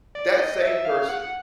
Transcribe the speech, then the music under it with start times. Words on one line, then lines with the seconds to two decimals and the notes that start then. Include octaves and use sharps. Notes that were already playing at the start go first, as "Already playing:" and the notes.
that same person
0.15 D5
0.38 D#5
0.62 E5
0.85 F5
1.09 F#5